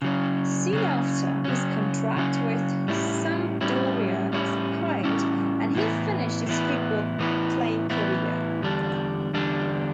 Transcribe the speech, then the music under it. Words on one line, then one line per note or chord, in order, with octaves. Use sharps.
Soon after, his contract with Sampdoria expired and he finished his football playing career.
C#3 F#3 C#4
C#3 F#3 C#4
C#3 F#3 C#4
C#3 F#3 C#4
A2 G3 C#4 E4
A2 G3 C#4 E4
A2 G3 C#4 E4
A2 G3 C#4 E4
A2 E3 B3 E4
A2 E3 B3 E4
A2 E3 B3 E4
A2 E3 B3 E4
E2 D3 G3 D4
E2 D3 G3 D4